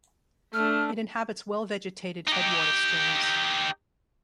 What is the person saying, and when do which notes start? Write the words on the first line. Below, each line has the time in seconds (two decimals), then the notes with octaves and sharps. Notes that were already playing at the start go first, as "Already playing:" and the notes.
It inhabits well vegetated headwater streams.
0.53 A3 D4 F6
2.27 D#4 G4